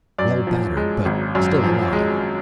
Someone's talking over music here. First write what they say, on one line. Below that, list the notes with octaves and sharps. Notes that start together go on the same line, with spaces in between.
Well battered, but still alive.
F#2 D5
F3
G#3
G#1
F#2
F3
G#3